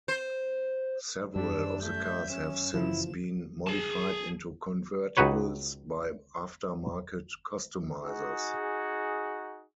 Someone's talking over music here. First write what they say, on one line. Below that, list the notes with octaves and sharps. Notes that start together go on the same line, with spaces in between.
Several of the cars have since been modified into convertibles by after-market customizers.
C5
F#2 G3 D4 E6
A3 E5 G6
C#4 E7
C#3 E3 F3 E4
G#4 A5
C#2 D#4 F#4 B4 C#5
D#4 F#4 G#4